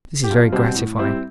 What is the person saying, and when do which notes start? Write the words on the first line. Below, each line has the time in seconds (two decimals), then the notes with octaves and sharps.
This is very gratifying.
0.24 G4
0.30 B1 F4
0.52 B2 G3 C4
0.75 A2
0.98 G3 C4 E4